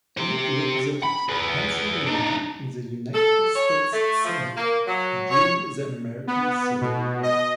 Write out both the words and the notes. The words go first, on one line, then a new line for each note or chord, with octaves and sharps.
He represented Pennsylvania in the United States Senate during the American Civil War.
G4 C5
B5
G#4 B4
D4 D#4
A4
C#5
A3
F3
A#3
F#3
C#5
B3
B2
D#5